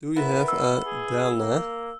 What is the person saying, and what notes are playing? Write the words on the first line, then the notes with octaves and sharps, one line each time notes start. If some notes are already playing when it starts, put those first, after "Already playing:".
Do you have a Delna?
B3 E4 A#4
E6
G#4
A#3